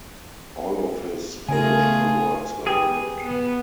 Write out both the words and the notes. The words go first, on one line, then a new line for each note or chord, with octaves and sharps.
All of his original works were burned.
C#3 A3 F4 G#4 A#4 G#5
G4 G#4 B4 G5
B3